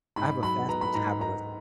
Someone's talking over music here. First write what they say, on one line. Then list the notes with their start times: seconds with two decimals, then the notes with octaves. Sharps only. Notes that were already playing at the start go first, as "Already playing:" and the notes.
I have a fast metabolism
0.16 G#2 B5
0.43 F#3 B5
0.69 B3 A#5
0.81 B5
0.94 G#2 A#5
1.21 G#2 A#5